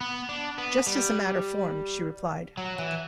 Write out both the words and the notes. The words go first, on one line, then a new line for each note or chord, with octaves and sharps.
'Just as a matter of form,’ she replied.
B3
D4
B3
G3
F#3
E3